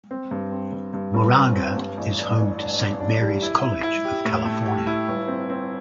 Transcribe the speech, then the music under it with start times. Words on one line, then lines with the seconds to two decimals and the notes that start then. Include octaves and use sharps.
Moraga is home to Saint Mary's College of California.
0.11 C4
0.31 G2
0.52 C4
0.72 G2
0.93 G2
1.14 G1
1.35 C4
1.56 C4
1.77 G2
1.97 A1
2.18 D4
2.38 A1
2.59 D4
2.80 D4
3.00 D4
3.21 G3
3.42 E4
3.63 E4
3.83 E4
4.05 G4
4.25 A2
4.45 A3
4.66 G4
4.87 E4
5.08 G1
5.28 C4
5.50 C4